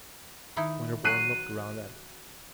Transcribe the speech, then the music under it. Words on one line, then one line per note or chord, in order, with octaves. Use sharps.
Winterborne looked round at it.
D#3 D#4 E4
F#3 F#6 C7 D#7